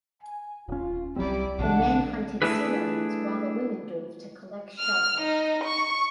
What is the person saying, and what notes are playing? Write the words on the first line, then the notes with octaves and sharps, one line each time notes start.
The men hunted sea lions while the women dove to collect shellfish.
G#5
D#1 C#4 F4
C2 F#3 G3 C4 E4 D5
B1 C#3 E3 D4 F#5
A3 D4 E4 G#4 B4
F6
D#4
C#6